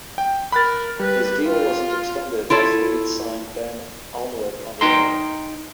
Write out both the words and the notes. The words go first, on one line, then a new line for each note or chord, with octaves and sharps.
His deal wasn't extended as Leeds signed Ben Alnwick on loan.
G5
A#4 B5 F#6 A6
G3 B4
F4
E4 F4 A4 C#5
D#4 D#5 G5 A#5 C6